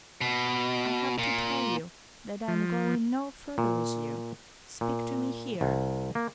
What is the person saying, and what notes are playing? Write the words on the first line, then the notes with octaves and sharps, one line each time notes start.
I have to tell you that I am going no further with you. Speak to me here.
B2
A#2
F3
A#2
A#2
C2
A#3